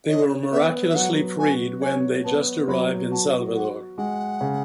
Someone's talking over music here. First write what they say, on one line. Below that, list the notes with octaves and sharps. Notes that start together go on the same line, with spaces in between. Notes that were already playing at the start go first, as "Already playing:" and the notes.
They were miraculously freed when they just arrived in Salvador.
C#5 D#5
B3 E5
E5
F#3 F#5
F#4 G#5
C#5 G#5
B3 A5
F#3 B5
F#4 A5
F#4 F#5
G#3 F#5
C#3